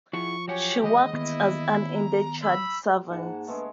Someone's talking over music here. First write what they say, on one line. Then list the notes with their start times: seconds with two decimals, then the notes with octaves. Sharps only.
She worked as an indentured servant.
0.13 F3 E4 G#4 F#5 C#6
0.48 F#3 G4 C#5 F#5 G#5
0.83 D#2 E3 G#3 D#5
1.13 D#3 B3 E4
1.94 A#5
2.43 B5 E6
3.10 G#2 A#3 F#5 A5
3.47 D3 G#3 A3 B3